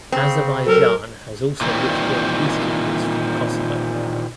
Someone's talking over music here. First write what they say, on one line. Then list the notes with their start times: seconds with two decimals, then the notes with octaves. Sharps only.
Azerbaijan has also withdrawn peacekeepers from Kosovo.
0.12 C#3 C4
0.66 F#3 A4 A#4
1.61 A#2 D#3 E3 G3 C4